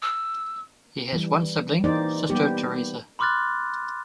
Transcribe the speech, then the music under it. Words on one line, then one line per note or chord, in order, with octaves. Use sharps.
He has one sibling, sister Teresa.
E6
E3 G3
E3 A#3 D#4 G4 C5 D5
G3 A#3 B3 G4
B5 C6 D6 F6 F#6 A6